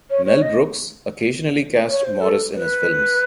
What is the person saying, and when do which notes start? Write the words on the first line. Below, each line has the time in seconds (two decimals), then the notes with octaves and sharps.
Mel Brooks occasionally cast Morris in his films.
0.10 C#5
0.25 C#5
0.41 D#5
1.88 C#5
2.04 C5
2.20 A4
2.53 B4